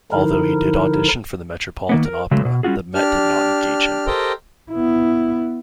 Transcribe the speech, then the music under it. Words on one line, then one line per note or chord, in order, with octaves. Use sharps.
Although he did audition for the Metropolitan Opera, the Met did not engage him.
D3 F3 D#4 E4 A#4
D#3 A#3 B3
A#4
C#3 F#3 G#3 A3
B2
G3 C#4 F4 F#4 G#4
D4 G4 F6
G4 A4 A#4 C5 D#5 G5
B3 E4